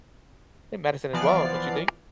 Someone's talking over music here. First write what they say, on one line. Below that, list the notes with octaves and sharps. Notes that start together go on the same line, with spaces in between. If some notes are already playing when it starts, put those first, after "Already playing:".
than medicine as well, don't you think?
E3 F3 B3 D5 F6 C7